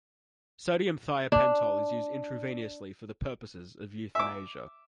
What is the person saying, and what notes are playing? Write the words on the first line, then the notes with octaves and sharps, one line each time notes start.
Sodium thiopental is used intravenously for the purposes of euthanasia.
D4
E5 D6